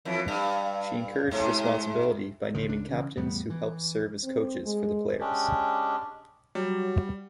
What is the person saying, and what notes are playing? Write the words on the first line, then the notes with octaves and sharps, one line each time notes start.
She encouraged responsibility by naming captains, who helped serve as coaches for the players.
F2 E3
G2
G#2 C3
D2 D3 D#3
C#2 D4
C#3 E3
E2 A2 G3 B3
E3
C4
G#3
G#3 C#4 D4 G4
F#3 G3